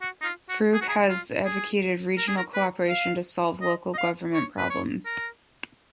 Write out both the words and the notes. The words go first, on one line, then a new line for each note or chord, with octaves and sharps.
Frug has advocated regional cooperation to solve local government problems.
F#4
D#4
F4
F#4
G#4
F#4
G#4
F4
G#4
A#4
G#4
A#4
B4
F5
D#5
D#5
F5
C#5
B4
C#5
A#4